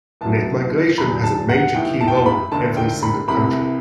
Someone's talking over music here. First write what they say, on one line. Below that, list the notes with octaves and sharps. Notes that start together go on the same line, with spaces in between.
Net migration has a major key role in every single country.
C2 B2 F#3 A5
E2 D3 F#3 B5
A5
F#5
B1 A2 E3 G5
A5
G5
A5
B5
E1 D2 D3 A5
G5
B5
C2 C3 E3 B5